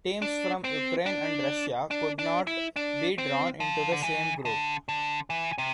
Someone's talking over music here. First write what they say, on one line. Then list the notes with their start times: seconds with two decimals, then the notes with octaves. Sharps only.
Teams from Ukraine and Russia could not be drawn into the same group.
0.22 D4
0.64 C4
1.06 D4
1.91 D4
2.19 D4
2.47 E4
2.76 D4
3.18 C4
3.60 F3
3.92 D3
4.03 E3
4.45 D3
4.89 D3
5.30 E3
5.58 C3